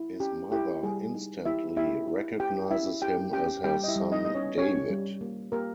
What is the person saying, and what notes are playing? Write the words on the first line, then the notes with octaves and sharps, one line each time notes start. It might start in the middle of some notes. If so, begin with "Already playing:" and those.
His mother instantly recognizes him as her son David.
Already playing: E4
C#4 G4
E4 G4
G3 G#4
D#4
E4 G4 E5
E4 G4 E5
E4
G4 G5
C#4 E4 E5
E4 G4 G5
C#4 G4 G5
G3 G4 G5
D#5
E4 E5
G3
D#4 D#5
B3 D#5
C#4 C#5
C#4 G4 C#5
G3
A#3
A#3 G4 A#4